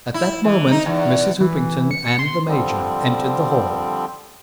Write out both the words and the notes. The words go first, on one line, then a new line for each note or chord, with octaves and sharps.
At that moment Mrs. Hoopington and the Major entered the hall.
E4
E3
D#4
E2
E3
C#7
C6
D3 F3 G3 C4